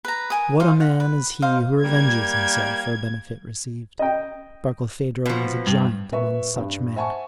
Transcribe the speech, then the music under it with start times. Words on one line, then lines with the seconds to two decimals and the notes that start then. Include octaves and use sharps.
What a man is he who revenges himself for a benefit received! Barkilphedro was a giant among such men.
0.05 B4 A#5
0.30 A#4 G#5 D#6
0.60 D#4 C5 F5
0.80 F#5
1.00 B4
1.42 D#4 C5 F5
1.83 G3 A#3 G#6
3.99 D#5 G5
5.26 B2 F3
5.67 G2
6.12 A#2 B4 E5 C#6
6.56 G2 D4
6.96 C5 E5 F#5 G#5 A5 C#6